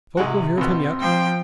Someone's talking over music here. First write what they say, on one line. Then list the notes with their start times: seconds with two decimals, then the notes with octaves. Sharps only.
"Folk will hear of him yet."
0.17 G#1 C3 G#3 F#4
0.57 A#1 B2 C4
1.01 F3 G5